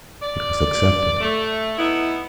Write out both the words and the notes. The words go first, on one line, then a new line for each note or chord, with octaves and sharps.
It was accepted.
D5
A3
B3 D#4 E4